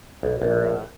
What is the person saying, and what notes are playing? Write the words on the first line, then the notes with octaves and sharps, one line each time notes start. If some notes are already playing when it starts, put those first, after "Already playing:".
where, uh
B1
A#1